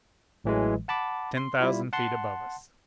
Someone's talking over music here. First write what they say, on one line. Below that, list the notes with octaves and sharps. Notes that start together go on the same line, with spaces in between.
Ten thousand feet above us.
A1 A2 E3 F#3 G#3
F#5 A5 B5 D6
C6
G3 E4 F4
F#5 A5 C6